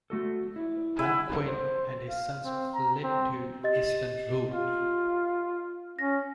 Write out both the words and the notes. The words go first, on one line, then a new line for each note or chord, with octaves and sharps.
Wen Qin and his sons fled to Eastern Wu.
A3 F#4 A4
E4
E4 G#4 F#5
C5
F5
C4
A#5
C4
G4 D#5 A6
F4
C#4 A#6